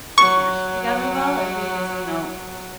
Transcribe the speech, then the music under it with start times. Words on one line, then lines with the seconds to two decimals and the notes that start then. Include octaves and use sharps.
mesh together well, and we just you know,
0.18 F#3 C#6